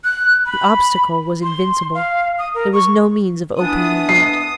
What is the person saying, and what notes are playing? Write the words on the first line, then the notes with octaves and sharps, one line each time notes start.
The obstacle was invincible. There was no means of opening the gate.
F#6
B5
C6
F5
D#6
A#4
C#6
E3 B3 D4 D#6
C7